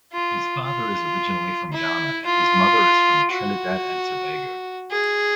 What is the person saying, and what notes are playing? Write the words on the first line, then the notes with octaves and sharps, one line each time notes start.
His father is originally from Ghana and his mother is from Trinidad and Tobago.
F4
F4
E4
F4
F#4
G#4